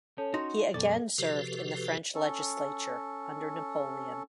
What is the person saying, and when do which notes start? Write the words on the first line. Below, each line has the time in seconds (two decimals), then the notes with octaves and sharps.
He again served in the French legislature under Napoleon.
0.18 C#4 A4 C#5 A5
0.34 D#4 F#4 C6
0.74 F#2 B2 A4 D5
1.18 C3 F3 F#4 G4 A4 B4
2.15 C#4 A4